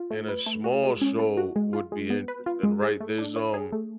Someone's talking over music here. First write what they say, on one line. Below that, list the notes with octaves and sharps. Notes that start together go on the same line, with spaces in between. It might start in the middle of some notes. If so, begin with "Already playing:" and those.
And a small show would be interesting, right? There's, um
Already playing: F4
A3
B4
A3
F#4
G#3
C#4
A4
F#4
G#3
F4
G#3
B3
B4
F4
G#3
G#4
A3
D4
C#5
G#4
A3